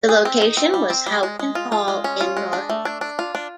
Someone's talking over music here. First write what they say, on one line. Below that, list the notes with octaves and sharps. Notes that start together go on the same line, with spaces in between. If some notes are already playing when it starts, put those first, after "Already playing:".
The location was Houghton Hall in Norfolk.
G#4
C4
D#4
C4
G3
C4
G3
G#3
G#3
F4
F4
G#3
C#4
F4
G#3
D4
A3
D4
D4
F4
D4